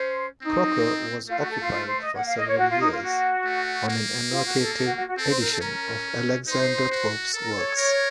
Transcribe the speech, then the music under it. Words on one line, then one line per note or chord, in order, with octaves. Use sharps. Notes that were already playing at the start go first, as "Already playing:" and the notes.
Croker was occupied for several years on an annotated edition of Alexander Pope's works.
Already playing: C#4 C5
C4 D#4
A3 F4
F#4
A4
F4
F4
C5
D#5
A#3 F#5
F5
D#5
C#5
F#4
F4
D#4
F4
F#4
A3
A#3
F4
F#4
A4
A4
F#4
F#4
F#4
C4 A4
C5
A#4
A4
C#4 A#4
D#4 C5
F#4
A4 A#4
C#5
A#4